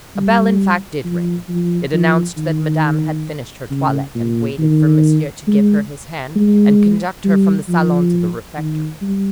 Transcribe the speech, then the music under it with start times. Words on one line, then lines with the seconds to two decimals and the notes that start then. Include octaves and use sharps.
A bell, in fact, did ring; it announced that Madame had finished her toilette, and waited for Monsieur to give her his hand, and conduct her from the salon to the refectory.
0.16 G3
1.05 F3
1.49 F3
1.93 F3
2.37 D#3
3.70 C#3
4.15 A#2
4.59 D#3
5.47 G#3
6.36 G#3
7.24 G3
7.69 F3
8.57 D#3
9.02 G3